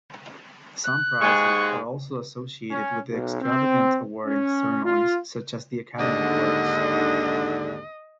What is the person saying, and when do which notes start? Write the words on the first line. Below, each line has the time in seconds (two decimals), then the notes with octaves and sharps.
Some prizes are also associated with extravagant awarding ceremonies, such as the Academy Awards.
0.84 F#6
1.21 D#2 G#2 G#3 C#6
2.71 C#4
3.10 B1
3.41 C4
4.26 C#4
4.85 F4
5.98 D#2 G#2 D3 D#5